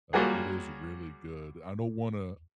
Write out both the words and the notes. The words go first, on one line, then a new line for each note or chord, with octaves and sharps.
uh, it is really good. I don't wanna
F#3 G3 A#3 F4 F#4 G#4